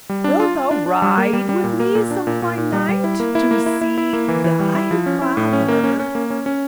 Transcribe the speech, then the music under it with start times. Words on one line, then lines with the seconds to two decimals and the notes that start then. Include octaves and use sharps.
Wilt thou ride with me some fine night to see thy father?
0.09 G3
0.24 D4
0.40 F4
0.55 F4
0.71 D4
0.86 D4
1.02 G3
1.18 A#3
1.33 G3
1.49 G3
1.64 A#2
1.80 A#3
1.95 A#2
2.11 D4
2.27 A#2
2.42 A#2
2.58 A#2
2.73 G3
2.89 G3
3.04 E4
3.20 A#3
3.35 E4
3.51 A#3
3.66 E4
3.81 E4
3.98 E4
4.13 A#3
4.28 E3
4.44 E3
4.60 G3
4.75 E4
4.91 F3
5.06 C#4
5.22 E4
5.37 A2
5.53 C#4
5.69 A#3
5.84 C#4
5.99 C#4
6.15 A#3
6.30 C#4
6.46 C#4